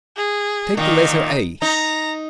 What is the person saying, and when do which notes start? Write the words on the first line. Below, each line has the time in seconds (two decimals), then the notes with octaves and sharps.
Take the letter a.
0.17 G#4
0.77 A#2 D#3 D#4
1.62 D#4 A#5